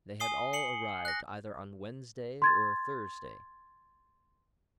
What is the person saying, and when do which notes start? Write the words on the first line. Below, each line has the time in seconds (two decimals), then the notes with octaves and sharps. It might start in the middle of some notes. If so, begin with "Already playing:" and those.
They had all arrived either on Wednesday or Thursday.
0.20 G#5 D#6 C7 G7
0.53 C7 C#7 F#7
1.05 F#6 A#6
2.42 C6 G#6 A6